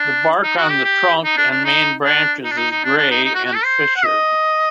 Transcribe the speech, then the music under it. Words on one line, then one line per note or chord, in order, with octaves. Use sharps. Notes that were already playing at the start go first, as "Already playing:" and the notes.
The bark on the trunk and main branches is grey and fissured.
Already playing: D4
D#4
F#4
G4
G4
D#4
D4
D4
D#4
D4
D#4
D4
D#4
D#4
D4
D4
D#4
D#4
F#4
F#4
A4
C5
F#5
D#5